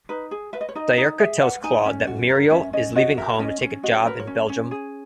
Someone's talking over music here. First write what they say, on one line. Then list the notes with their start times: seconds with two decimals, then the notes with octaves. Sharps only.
Diurka tells Claude that Muriel is leaving home to take a job in Belgium.
0.09 D#4 B4
0.31 G#4
0.53 B4 E5
0.61 D#5
0.69 C#5
0.75 D#4 D#5
0.97 D#4
1.19 G#4 E5
1.41 B4 F#5
1.64 D#4 G#5
1.86 C#4
2.07 F#4
2.29 A#4
2.51 C#4 E5
2.73 C#4 D#5
2.95 F#4 D#5
3.18 A#4 E5
3.39 C#4 D#5
3.61 C#4
3.83 F#4 D#5
3.95 C#5
4.06 A#4 B4
4.20 C#5
4.27 C#4
4.49 C#4
4.71 G#4